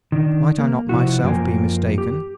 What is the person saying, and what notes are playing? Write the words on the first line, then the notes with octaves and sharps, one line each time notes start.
Might I not myself be mistaken?
D#3 D4
A#3
C3 F3 E4 F#4
F#2 F3 A#3 C#4 G5 G#5
G4